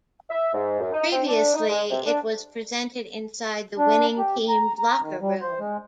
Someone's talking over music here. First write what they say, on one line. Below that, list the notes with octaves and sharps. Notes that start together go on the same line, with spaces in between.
Previously, it was presented inside the winning team's locker room.
E5
G#2
F#2
D#4
C4
D4
D#4
G#3
C3
D4
D4
G4
A#5
A#5
D#3
G3
C5
G#3